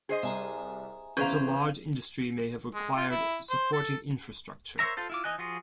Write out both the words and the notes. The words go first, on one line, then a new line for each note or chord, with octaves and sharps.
Such a large industry may have required supporting infrastructure.
G#4 C5 D#5
C2 E5 G#5 A#5
E2 C#4 G#4 B4 C5 F5 A#5 G6
G#3
F4
E4
C5
A4
A#4 C5 C#5 E5 A#5
F4 A4 C5
E4 F4 D6
E3 D#4 D#5 G#5 F#6
F3 F4 F#4 G#4